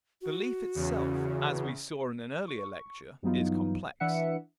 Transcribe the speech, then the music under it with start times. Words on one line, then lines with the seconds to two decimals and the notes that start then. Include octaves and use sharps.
Belief itself, as we saw in an earlier lecture, is complex.
0.22 F#4
0.75 E2 C#3
2.48 C#6
3.23 G2 E3 F#3 B3 D#4 F4
4.00 E3 D4 B4 E5 F#5 C#7